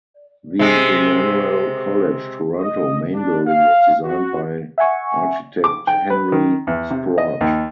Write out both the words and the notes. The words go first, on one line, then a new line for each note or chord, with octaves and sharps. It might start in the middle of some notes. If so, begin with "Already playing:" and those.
The Emmanuel College, Toronto main building was designed by architect Henry Sproatt.
C3 G#3
D#5
D4
F5
F#4
E5 F#5 G#5 C#6
D6
G5
B4
D#3
E2
C3
D#5
D#2